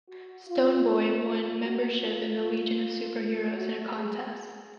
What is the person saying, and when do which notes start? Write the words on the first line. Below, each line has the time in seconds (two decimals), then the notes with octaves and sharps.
Stone Boy won membership in the Legion of Superheroes in a contest.
0.08 F#4
0.47 F4
1.24 F4
1.62 F#4
2.01 F4
2.39 F4
3.54 F#4
3.92 G#4
4.31 G#4